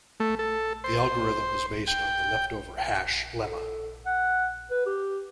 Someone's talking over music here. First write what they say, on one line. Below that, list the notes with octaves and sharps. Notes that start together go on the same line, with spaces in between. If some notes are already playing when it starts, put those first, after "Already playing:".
The algorithm is based on the leftover hash lemma.
A3
A4
C5
G5
A4
F#5
B4
G4